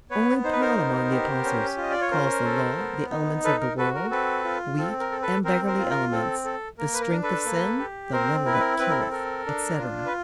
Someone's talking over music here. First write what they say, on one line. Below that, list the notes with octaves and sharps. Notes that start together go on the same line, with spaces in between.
Only Paul among the apostles calls the Law "the elements of the world, weak and beggarly elements, the strength of sin, the letter that killeth," etc.
B3 B4 C#5
D#4 C5
B4
A#4 C5
B3
G4
C#4
F4 D#5
D5
C#5
C#4 A#4 C5
A4
B3
D#4
A4 B4
A#4
F#4 A4 B4
A#4
C4 A4 B4
F4
C4 A4
A#4
A4
A4 B4
C4 A#4 C5
A#4 C5
F4
A#4
C4 A4
A4
A#3 A#4
B4
A#4
D4
A4 B4
A#3
G4
C4 A#4 C5
E4 A#4
B4
A#4
C4 B4
A#4
A4
A4 A#4
D4
F4
B4